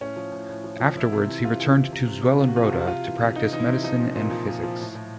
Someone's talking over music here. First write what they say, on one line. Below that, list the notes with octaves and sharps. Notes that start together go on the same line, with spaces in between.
Afterwards, he returned to Zeulenroda to practice medicine and physics.
A2 C#4
F3
A2
A2
F3
F3
E3 E4
C3
E3
C3 F4
E3
E3
C3
C3
C3
C3 F4
F#4
F3 F4
F#4
C3 F4
F#4
C3 F4
E3
C3
C3 D#4
E3 D#4
E4
C3
F3 D#4
A#2
A#2
F3
A#2
F3
A2
A2